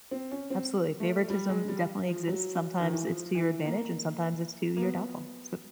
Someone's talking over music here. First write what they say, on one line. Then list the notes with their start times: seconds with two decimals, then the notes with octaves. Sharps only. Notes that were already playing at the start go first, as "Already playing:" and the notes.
Absolutely, favoritism definitely exists, sometimes it's to your advantage, and sometimes it's to your downfall, so.
0.11 C4
0.31 C#4
0.50 C4
1.00 A3
1.30 G3
1.49 G#3
1.68 G3
2.08 F3
2.28 F#3
2.80 D#3
2.93 E3
3.06 F3
3.35 E3
3.65 A#3
4.77 A#3
4.82 B3